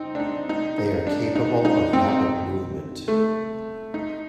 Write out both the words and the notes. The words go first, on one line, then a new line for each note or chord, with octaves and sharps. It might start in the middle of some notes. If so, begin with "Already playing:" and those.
They are capable of rapid movement.
Already playing: C4 D#4
D4
D#4
D#4
D#4
D4
D#4
D#4
C4
A3
D#4